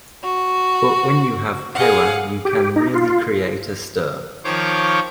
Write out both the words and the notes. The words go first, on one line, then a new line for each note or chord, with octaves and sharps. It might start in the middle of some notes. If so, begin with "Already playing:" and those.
But when you have power you can really create a stir.
F#4
G#4 F5 F#5
G4
D#4
F4
D#3 F3 C5 C#5 C#6 D6